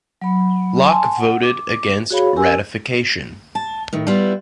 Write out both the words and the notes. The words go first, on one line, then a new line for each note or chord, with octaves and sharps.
Locke voted against ratification.
F#3 B5
G#5 A5 C6
F#5
D6
F#4 G#4 C#5 F5 B5
C#4 G4 A#4 G#5 E6
A5
A2 D#3
G3 B3 E4 F4